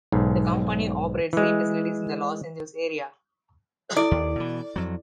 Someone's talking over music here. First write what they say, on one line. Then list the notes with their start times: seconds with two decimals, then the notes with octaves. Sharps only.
The company operates three facilities in the Los Angeles area.
0.12 B1 G#2
1.33 E3 G#3
3.96 E4 A4 D5
4.11 D#2
4.36 B2 E3
4.76 F2 F#3